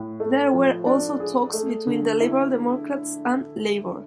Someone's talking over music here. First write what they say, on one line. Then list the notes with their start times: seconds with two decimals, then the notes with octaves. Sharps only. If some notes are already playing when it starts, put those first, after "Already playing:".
There were also talks between the Liberal Democrats and Labour.
Already playing: A2
0.20 A3
0.53 F3
0.86 D4
1.20 G#4
1.54 A3
1.87 D3
2.20 E4